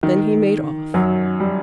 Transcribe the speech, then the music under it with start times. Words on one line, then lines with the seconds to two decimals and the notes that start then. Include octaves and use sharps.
Then he made off.
0.03 D#3
0.94 F#2 F#3
1.40 G3